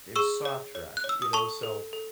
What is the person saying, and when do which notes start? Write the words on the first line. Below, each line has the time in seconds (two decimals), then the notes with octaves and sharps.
there's soft rock, you know? So,
0.16 G#4 C#6 E6
0.45 C#5
0.75 C#5
0.97 F#6
1.04 C#5
1.09 E6
1.22 D#6
1.33 A4 A5 C#6
1.63 A4
1.93 A4